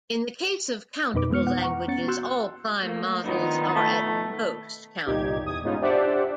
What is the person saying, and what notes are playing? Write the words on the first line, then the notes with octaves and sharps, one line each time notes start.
In the case of countable languages, all prime models are at most countable.
F2 B2 D#4 B4 D6
E3 G#3 B3 F6 C#7
F#5
F#5 A#5 C#6
B3 C#4 A6 C#7
F#4 C6 E6 F#6 G6
A3 A#3
D3 D#3 F3 B3 D#4
B2 A3
G1 C2 A#2 D#4 G4 G#6
E2 D#6 G#6
G#2 B3 C#4 D#4 F4
D4 G4 C5 D5 E5 F#5